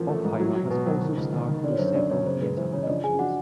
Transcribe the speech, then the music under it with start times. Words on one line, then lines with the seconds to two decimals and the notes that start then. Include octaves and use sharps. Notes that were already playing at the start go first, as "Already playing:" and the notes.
Hofheimer has also starred in several theatre productions.
Already playing: A1 F3 A#4
0.09 A3
0.25 G#2
0.40 F#3
0.55 F#3
0.70 B2 B4
0.86 F#3 C5
1.02 D#3
1.17 C#2
1.33 D#3
1.48 D#3
1.64 D3 D5
1.71 C#5
1.78 F#2 C5
1.86 C#5
1.94 F#2 D4 D5
2.10 F#2 C#5
2.27 C#3 C5
2.41 G#3 B4
2.57 E3 C5
2.73 C#3 C#5
2.83 D#5
2.88 F3 D4 D5
3.03 F3 G#4 G#5
3.19 D4 F#4 F#5